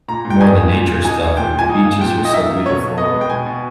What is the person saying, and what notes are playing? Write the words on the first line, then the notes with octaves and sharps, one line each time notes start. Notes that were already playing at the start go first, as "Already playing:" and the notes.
more of the nature stuff, like, the beaches are so beautiful,
A#2 A#5
A#2
G5
D#4 G#5
A#3
A#2
A#2
D#4 G#5
A#3
A#2 G5
A#2
G#5
D#4
A#3
A#2 G5
A#2
D#5
D#4 E5
A#3
B2 C#5
B2
B3 D#5
G#3
G5
B2 G#5
B2